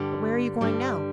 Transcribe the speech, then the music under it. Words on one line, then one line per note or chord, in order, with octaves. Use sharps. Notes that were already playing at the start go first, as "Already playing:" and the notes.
'But where are you going now?
Already playing: G2 D3 G3
G2 D3 G3